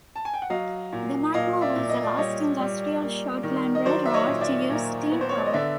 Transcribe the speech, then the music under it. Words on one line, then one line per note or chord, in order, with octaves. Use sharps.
The Magma was the last industrial short line railroad to use steam power.
A5
G#5
G5
F#5
F#3 D#5 F5
A#2
A#2 D#5 F5
D5 E5
A#2
D#5
D5
G3 C#5 D#5
G3
A#3
D#3
D#5
F#3 C5 D5
E5
C#5 D#5
A#2
D5 E5
A#2
B3
C5
C#5
D5
D#5
D3 D5 E5